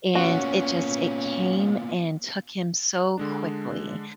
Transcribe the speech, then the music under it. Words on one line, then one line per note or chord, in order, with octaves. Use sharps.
and it just it came and took him so quickly
A#3 B3 C#4 F4 F#4
D3 G#3 D4